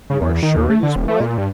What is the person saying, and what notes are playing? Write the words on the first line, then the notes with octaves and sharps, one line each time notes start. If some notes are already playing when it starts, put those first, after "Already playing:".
"You are sure it is blood?"
C#3
E2
D#3
D#2
A3
D3
D#1
A3
A#2
G2